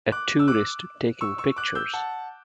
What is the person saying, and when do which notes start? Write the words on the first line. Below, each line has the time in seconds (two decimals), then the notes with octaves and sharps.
A tourist taking pictures.
0.12 D6 F#6
0.39 E6
0.48 D6 F#6
1.21 C#6 E6
1.38 C#6 E6
1.56 D6 F#6
1.75 E6 G6
1.93 F#5 A5